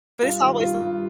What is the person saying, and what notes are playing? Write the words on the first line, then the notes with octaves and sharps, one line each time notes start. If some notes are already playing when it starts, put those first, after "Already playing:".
But it's always
G2 F4
D#3
G2 F4
G2